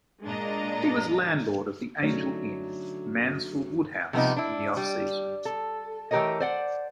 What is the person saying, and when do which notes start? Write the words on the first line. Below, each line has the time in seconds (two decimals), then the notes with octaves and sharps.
He was landlord of the Angel Inn, Mansfield Woodhouse in the off-season.
0.25 A#2 G#3 D4 D#5 A#5 A6
2.02 D3 F#3 A3 C#4 D#4
4.13 C3 F3 G3 B3 C4 D#4
4.36 D4 E4
4.77 G3
5.45 A4
6.11 E3 A3 G4 A#4 C#5 D#5
6.40 C5 D5 F#5